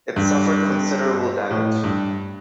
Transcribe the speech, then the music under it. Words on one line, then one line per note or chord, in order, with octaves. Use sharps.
It suffered considerable damage.
G2
A2
G2